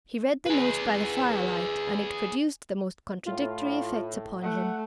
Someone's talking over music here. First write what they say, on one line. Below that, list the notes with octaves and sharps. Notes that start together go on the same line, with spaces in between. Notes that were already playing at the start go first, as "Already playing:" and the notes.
He read the note by the firelight, and it produced the most contradictory effects upon him.
G#4 B4
A2 F4
A3 F#5